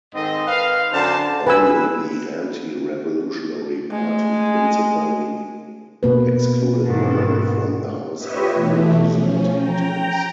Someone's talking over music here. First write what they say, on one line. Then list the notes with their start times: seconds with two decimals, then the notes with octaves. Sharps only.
Only the Anti-Revolutionary Party principally excluded women from the House of Representatives.
0.15 G#2 D#3 C4 A4 D#5
0.47 B4 F5
0.92 F#2 D3 C5 D5 A5
1.47 B4 G#5 E6
3.92 G#3 A3
6.03 B2 A#3 B4
6.87 G#2 D#3 E3
8.18 F4 G4 B4 C#5 D#5 E5
8.54 B2 E3 A3
9.07 F3 C#4
9.55 G5 A#5